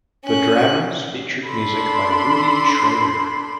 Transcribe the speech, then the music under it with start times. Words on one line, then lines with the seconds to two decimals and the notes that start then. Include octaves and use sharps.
The dramas featured music by Rudy Schrager.
0.25 C#4 F#6
1.47 D4 A4 B5 C6